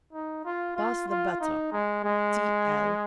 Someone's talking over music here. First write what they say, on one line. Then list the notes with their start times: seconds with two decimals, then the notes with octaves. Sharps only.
Pass the butter. T.l.
0.13 D#4
0.45 F4
0.77 F4
1.09 F4
1.41 D#4
1.72 G#3
2.04 G#3